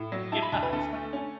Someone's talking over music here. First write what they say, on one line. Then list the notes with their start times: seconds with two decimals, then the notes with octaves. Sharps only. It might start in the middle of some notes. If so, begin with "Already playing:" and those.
you know, it's like
Already playing: A2
0.12 F#3
0.32 E4 A5
0.42 B5
0.52 D2 A5
0.63 B4
0.73 D3 A4
0.93 A3
1.13 C#4